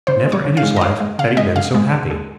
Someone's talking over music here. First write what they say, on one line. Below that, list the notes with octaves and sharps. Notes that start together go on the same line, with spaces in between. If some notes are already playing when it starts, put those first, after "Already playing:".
Never in his life had he been so happy.
C#3 C5
G#3
C#5
C#3
F5
G#3
D#5
C#3 F5
G#3
C#3 F5
G#3 D#5
C#3 F5
G#3
C#3
G#3